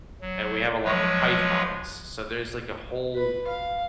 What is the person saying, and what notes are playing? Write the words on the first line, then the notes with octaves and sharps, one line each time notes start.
and we have a lot of pythons. So, there's like a whole
F#3
F3 F#3 G#3 B4 C#5
B4
F5